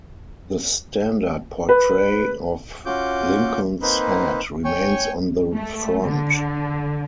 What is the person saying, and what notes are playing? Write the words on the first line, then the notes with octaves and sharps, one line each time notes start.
The standard portrait of Lincoln's head remains on the front.
B4
C#4 F4 F#4 D6 G6
A#3 C4 D#4 B4
C#5 G5 G#5 C#6
A3
D3